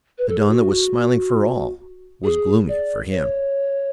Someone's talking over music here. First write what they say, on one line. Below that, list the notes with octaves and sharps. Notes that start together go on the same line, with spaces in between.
The dawn that was smiling for all was gloomy for him.
B4
A4
G#4
F#4
G#4
D5
C#5